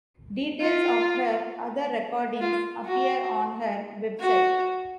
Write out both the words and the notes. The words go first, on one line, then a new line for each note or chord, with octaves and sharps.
Details of her other recordings appear on her website.
F4
F4
F#4
F#4